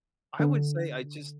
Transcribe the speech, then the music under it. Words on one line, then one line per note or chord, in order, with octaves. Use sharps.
I would say I just
D3